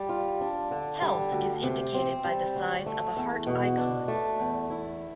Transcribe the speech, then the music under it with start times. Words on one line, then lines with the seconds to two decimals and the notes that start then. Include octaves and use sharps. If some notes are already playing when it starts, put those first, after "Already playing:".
Health is indicated by the size of a heart icon.
Already playing: G3
0.09 F4
0.41 D4
0.71 D3
1.02 G3
1.32 D2
1.63 C3
1.94 C4
2.25 G3
2.55 D2
2.86 A3
3.17 E2
3.47 B2
3.77 D4
4.08 A3
4.40 E2
4.70 E4